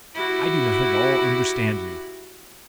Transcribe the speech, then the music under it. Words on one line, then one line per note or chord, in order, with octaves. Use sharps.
"I do not at all understand you!"
E4 F#4 G4